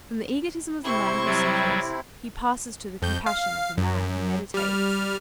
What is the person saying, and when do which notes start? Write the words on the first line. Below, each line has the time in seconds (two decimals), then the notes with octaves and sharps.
From the egotism of the man who suffers he passes to the compassion of the man who meditates.
0.84 C3 C4 E4 C5 C#6
1.25 F#3 G3
3.02 F2 G6
3.26 F5
3.78 F#2
4.54 G3 F6